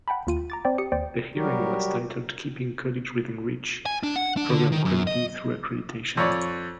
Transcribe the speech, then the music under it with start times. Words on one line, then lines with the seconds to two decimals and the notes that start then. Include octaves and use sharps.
The hearing was titled Keeping College Within Reach: Program Quality through Accreditation.
0.08 F#5 G5 A5 B5
0.27 D#2 F4 D#7
0.50 A#5 D6 A6
0.65 C4 C5 D5 G5
0.78 G4 D#6 C#7
0.92 D#2 C5 D5 G5
1.35 F#3 G3 F#4 G4 A#4
3.86 G#5
4.03 D4
4.16 F#5
4.37 D4
4.50 D3
4.72 D#3
4.85 F#2
5.07 D#5
6.17 F2 C#5 D5